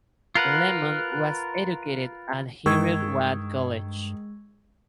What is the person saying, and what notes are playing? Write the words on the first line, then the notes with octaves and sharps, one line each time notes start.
Lemon was educated at Heriot-Watt College.
F4 A#4 B4 F#5
G2 D#3 G#3 C#6 E6 G#6